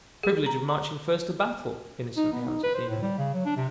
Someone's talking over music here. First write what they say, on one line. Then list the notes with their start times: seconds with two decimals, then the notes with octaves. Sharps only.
"The privilege of marching first to battle!" innocently answered the Indian.
0.23 G#4
0.46 A#5
0.68 A#5
2.17 D#4
2.33 B3
2.48 D#4
2.63 B4
2.75 C5
2.88 A2
3.03 G3
3.18 C#3
3.34 F#3
3.46 D4
3.57 C3